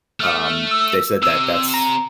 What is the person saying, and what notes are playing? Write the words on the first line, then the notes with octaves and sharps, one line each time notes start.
Um, they said that that's
A3 F6
E6
C3 E6
A#5